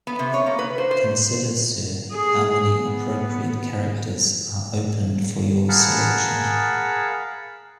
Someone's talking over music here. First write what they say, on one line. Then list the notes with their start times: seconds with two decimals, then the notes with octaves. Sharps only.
Consider, Sir, how many appropriate characters are open for your selection.
0.07 B3
0.19 C3
0.34 C#5
0.46 A#3
0.59 B4
0.78 C5
0.91 C5
2.14 G#4
2.80 B3
5.69 G#4 A#4 F5 F#5 A5 B5